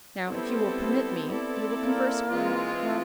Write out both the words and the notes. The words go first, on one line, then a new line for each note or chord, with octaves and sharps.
Now, if you will permit me, we will converse quietly.
G3 B3 C4 E4 A4 C5
C4 E4 A4 D5
A#3
E3 G#3 C4 F4
A3